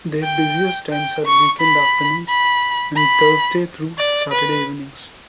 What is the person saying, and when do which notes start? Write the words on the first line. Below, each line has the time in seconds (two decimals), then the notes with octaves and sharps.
Their busiest times are weekend afternoons and Thursday through Saturday evenings.
0.23 G5
0.92 G5
1.25 C#6
1.60 B5
2.28 B5
2.96 B5
3.98 D5
4.32 B4